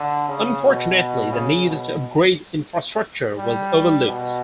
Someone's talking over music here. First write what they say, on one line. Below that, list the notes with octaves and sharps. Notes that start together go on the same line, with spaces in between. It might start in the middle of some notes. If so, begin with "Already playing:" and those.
Unfortunately, the need to upgrade infrastructure was overlooked.
Already playing: D3
C#3
B2
C#3
B2
G3
B2